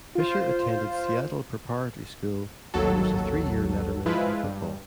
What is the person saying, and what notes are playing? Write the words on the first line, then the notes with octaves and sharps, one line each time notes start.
Fisher attended Seattle Preparatory School and was a three-year letterman in football.
F4 C5
A1 D#2 F#3 A4
F3 G#3 E4 F4 B4
G2